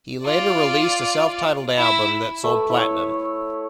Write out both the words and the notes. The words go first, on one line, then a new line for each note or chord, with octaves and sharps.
He later released a self-titled album that sold platinum.
F4 D5
E4 E5
A3 B4
E4 C#5